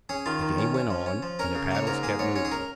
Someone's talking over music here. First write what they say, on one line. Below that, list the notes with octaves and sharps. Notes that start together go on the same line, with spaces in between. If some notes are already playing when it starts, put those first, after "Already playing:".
The game went on, and the paddles kept moving.
C#4 G#4
D#3 F4
D#3
C#4
C#4
F3
C#4
F3
C#4 A#4
C#3
A#3 C#5
G#2 A#4
A#3 G#4
G#2 C#5
C#4 C#5
G#4
A#4